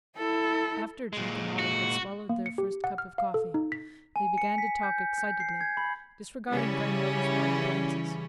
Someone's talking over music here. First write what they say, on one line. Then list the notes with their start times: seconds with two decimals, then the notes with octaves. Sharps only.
After Jake and Otto had swallowed their first cup of coffee, they began to talk excitedly, disregarding grandmother's warning glances.
0.17 E4 A4
1.13 A#2 G#3
1.59 F#4
2.29 A#3
2.46 C#7
2.58 G4
2.84 F#5
2.98 F6
3.18 F5
3.34 A4
3.54 D#4
3.72 B6
4.16 G#5
4.38 C#7
4.58 B6
4.83 G6
5.18 G6
5.40 C7
5.61 G#6
5.77 B5
6.52 C#3 E3 G3 C#4 E4